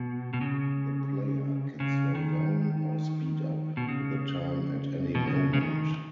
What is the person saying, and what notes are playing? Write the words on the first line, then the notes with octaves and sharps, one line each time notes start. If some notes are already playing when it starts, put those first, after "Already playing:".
The player can slow down or speed up the time at any moment.
Already playing: B2
B2
C#3
C#3
D#3
B2
C#3
B2
C#3
C#3
D#3